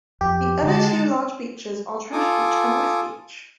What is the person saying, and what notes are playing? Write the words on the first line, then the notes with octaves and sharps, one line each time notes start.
The other two large beaches are Trash Beach and West Beach.
F2 G4
D3 G#3 A5
F4 A4 G#5 D6 D#6